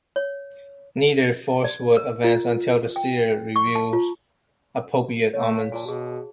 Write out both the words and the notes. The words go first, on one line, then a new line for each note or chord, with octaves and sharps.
Neither force would advance until the seer revealed appropriate omens.
C#5
D5
A#4
F4
G5
C#6
A5
F4
A3 C#5
F5
A#2 G#5 A5
B2 F#4 G#4